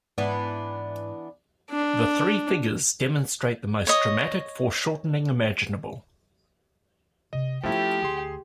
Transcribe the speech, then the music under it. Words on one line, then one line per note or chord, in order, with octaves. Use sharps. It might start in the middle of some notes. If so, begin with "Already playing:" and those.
The three figures demonstrate the most dramatic foreshortening imaginable.
G#2 E3 B3 D4
D4
C#5 D#5
C3 D#5
F3 A3 B3 C#4 E4 G4
D2 G#4 C6